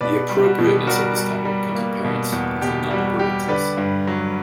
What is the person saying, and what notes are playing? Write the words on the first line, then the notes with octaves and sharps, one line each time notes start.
The appropriateness of this title becomes apparent as the novel progresses.
B2 B4 D5
G3
G4
F#4
B2
G4
G3 F#4 A#4
G3
G3
A#3
B2
E2
B2 G4
G3 F#4
G3 G4
D3 B4 D5
G2
F#3